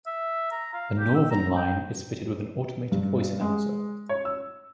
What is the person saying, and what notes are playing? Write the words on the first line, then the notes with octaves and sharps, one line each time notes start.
The Northern line is fitted with an automated voice announcer.
E5
A#5
F5
G4
E6
A#5
G5
G2
G#3
C#5
E6